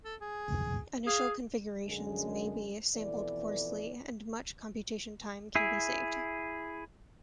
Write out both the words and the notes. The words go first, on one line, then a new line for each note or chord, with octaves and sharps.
Initial configurations may be sampled coarsely, and much computation time can be saved.
A4
G#4
G#4 F5
F#2 D3 G#3
F2 B2 E3 A4 D5
E4 G#4